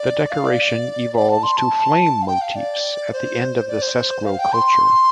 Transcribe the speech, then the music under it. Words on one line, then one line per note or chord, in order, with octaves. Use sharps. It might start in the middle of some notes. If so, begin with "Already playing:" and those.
The decoration evolves to flame motifs at the end of the Sesklo culture.
Already playing: D5
F5
D5
D5
A5
C6
A5
F5
G5
F5
D5
C5
D5
C5
F5
G5
C6